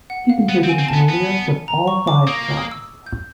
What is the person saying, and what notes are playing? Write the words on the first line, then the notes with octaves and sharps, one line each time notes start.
He contributed to the lyrics of all five tracks.
F#5
F5
B3 F#5
C4
G#5
C4
A5
B3
B3
A#5
C#6
D6
A#3 D#6
D#6
E6
G6